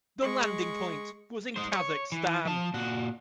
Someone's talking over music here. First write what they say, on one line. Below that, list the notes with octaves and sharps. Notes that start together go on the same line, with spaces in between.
The landing point was in Kazakhstan.
G#3 C#6
G#3 C5
C#5
E3
F3 A5
A#2 F#4